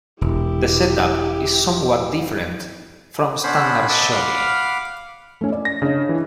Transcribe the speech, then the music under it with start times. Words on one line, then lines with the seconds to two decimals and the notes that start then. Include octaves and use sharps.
The setup is somewhat different from standard shogi.
0.21 E1 E4 G4
3.43 B3 C#4 D4 C5 B5
3.89 A4 D#5 F#5 B5 D6 E6
4.12 F5 F#5 B5 D6 F6
5.41 A3 C#4
5.52 D5
5.65 A#6
5.82 C#3 D4 C#5 D#5
6.09 E3